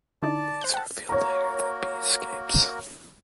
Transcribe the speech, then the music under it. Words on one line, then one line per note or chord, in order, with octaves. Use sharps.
It is revealed later that be escapes.
D3 D#4 E4 D5 A5
C5 F#6 G6
F#5 G5 A5
A#3 F#4 A#4 C#5 A#5